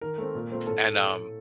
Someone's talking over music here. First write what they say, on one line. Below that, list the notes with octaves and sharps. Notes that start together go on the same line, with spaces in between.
and, um,
D#3 A#4
A3 C4
A#2
F3 A3 C4
A2 A4